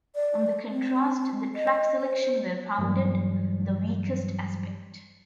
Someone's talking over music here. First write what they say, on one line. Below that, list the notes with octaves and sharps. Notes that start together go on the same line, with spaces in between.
On the contrast the track selection were founded the weakest aspect.
D5
C4
D#5
C5
G2 E3 F#3 G3